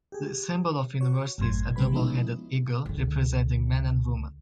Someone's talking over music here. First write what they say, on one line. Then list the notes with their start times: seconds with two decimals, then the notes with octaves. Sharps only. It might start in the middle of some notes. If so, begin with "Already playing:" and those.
The symbol of the university is a double-headed eagle, representing men and women.
0.12 G4 G#4
1.01 F#4 C#5
1.38 G#1 F#2 A2 C6 G#6
1.76 A1 C#3 G3 B4 B5
1.93 F3 G#3 B3 C#4 D#4 E4
2.86 C#2 D3